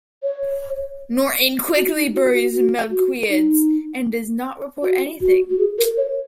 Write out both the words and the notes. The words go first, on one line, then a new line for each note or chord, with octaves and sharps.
Norton quickly buries Melquiades and does not report anything.
C#5
F#4
D#4
F#4
F#4
F#4
F#4
D#4
F#4
F#4
F#4
G#4
A#4
C#5